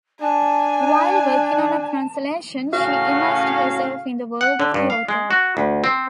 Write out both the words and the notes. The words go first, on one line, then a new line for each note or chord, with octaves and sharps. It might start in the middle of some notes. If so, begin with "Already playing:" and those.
While working on a translation, she immersed herself in the world of the author.
D4 G#5 A5
A2 C#3 C#4 F#4 F5
F#5
D3
G2
F5
G#3
F#4
D2
C4